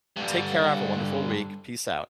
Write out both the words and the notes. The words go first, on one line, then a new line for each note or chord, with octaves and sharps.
Take care, have a wonderful week, peace out.
G2 D3